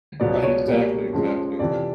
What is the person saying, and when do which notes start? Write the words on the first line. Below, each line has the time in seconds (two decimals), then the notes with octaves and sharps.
Right, exactly, exactly.
0.20 C#2 B2 F#3 B3 D5
0.44 C#5
0.67 B2 G3 A#3
1.13 F2 C#3 F3 G#3
1.59 F2 C3 E3 D5